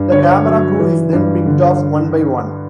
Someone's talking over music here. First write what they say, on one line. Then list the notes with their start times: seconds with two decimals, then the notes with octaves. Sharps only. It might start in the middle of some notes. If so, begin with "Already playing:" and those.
The camera crew is then picked off one by one.
Already playing: G2
0.11 D3 C#5
0.45 F#3
0.79 E3
1.13 G2
1.46 D3